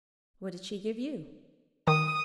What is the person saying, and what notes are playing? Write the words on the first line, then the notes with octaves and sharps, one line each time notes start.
'What did she give you?'
D#3 D#6